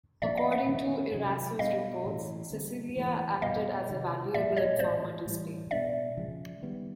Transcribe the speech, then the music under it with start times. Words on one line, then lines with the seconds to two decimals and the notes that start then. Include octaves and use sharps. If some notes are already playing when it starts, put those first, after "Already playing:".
According to Eraso's reports, Cecilia acted as a valuable informer to Spain.
0.22 A#2 F3 A#3 D4 D5 E5
0.37 D#5 F5
0.52 E5 F#5
0.68 D#3 G#3 B3
1.14 C3 D#3 F#3
1.59 B2 G3 B3 D4 D#5 F5
2.05 A2 E3 A3 C#4
2.51 D3 G3 C4
2.97 E3 A3 C4
3.42 B2 G3 B3 D#5 F5
3.88 C3 D#3 G#3
4.34 A#2 F3 A#3 D5 E5
4.57 C#5 D#5
4.79 A2 E3 G#3 C4 C5 D5
5.26 A2 E3 G3
5.71 B2 G#3 B3 D4 D5 E5
6.17 C#3 F3 G#3
6.62 D#3 G3 B3